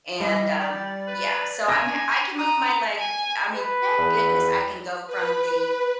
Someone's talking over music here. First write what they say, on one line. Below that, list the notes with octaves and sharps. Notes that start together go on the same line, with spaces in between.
And, um, yeah, so I'm ha I can move my leg I mean, thank goodness I can go from the,
G3 D#5
G4 D5
B4
G#5 A#6
A#5 D#6
G#5
B4
E2
B4